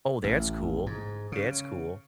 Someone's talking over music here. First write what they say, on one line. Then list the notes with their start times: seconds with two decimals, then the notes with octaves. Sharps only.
Oh, that's cool that's cool.
0.24 A1
0.87 G#2
1.32 C#3